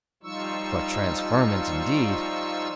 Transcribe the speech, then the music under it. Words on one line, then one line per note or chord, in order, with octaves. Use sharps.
For transferment, indeed!
F3 G3 D#4 F4 C#6 E6